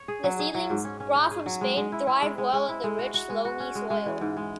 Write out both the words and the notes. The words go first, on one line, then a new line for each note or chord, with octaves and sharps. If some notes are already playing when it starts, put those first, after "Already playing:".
The seedlings, brought from Spain, thrived well in the rich, loamy soil.
Already playing: C#5
G#4
F#3
G#4
F#3
G#2
C#4
C#4
C#4
G#4
F#3
G#3
G#3
E4
E4
G#3
G#3
G#3
E4
G#3
F#4
F#4
G#3
F#4
C#4
G#3
G#3
E3
G#2
G#3